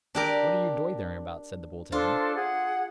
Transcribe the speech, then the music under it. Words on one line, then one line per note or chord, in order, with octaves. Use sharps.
"What are you doitherin' about?" said the bull to him.
D4 G4 A#4
D4 F4 A4 C5
G#4 F#5